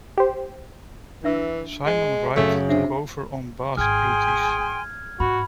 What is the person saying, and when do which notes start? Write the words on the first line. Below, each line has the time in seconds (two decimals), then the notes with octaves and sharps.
Simon Wright took over on bass duties.
0.18 G4 C5
1.24 E3 D4 E5 E6
1.86 G#3
2.36 F#2 C#3 A3 G#4
2.69 C3 D4 E5
3.77 G#1 G#4 G5 G#5 C6 F6 G#6
5.20 G#2 F#4 B5